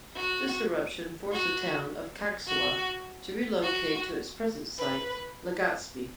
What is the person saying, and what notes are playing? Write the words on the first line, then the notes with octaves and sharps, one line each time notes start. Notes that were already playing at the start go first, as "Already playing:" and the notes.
This eruption forced the town of Cagsawa to relocate to its present site, Legazpi.
F#4
F#4
F#4
F#4
B4